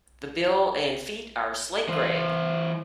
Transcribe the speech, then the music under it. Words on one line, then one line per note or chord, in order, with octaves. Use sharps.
The bill and feet are slate grey.
E3 C5